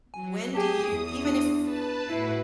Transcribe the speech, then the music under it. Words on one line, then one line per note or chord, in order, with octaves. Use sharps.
When do you even if
F#3 G#5
G4 G#4 A5 D#6
E2 G#4
D4
B4 A5
A2 E4 F#4 B4 C7